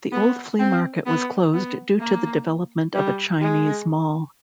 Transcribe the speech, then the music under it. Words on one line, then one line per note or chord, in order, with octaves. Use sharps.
The old flea market was closed due to the development of a Chinese mall.
B3
C4
B3
B3
A#3
G3
G#3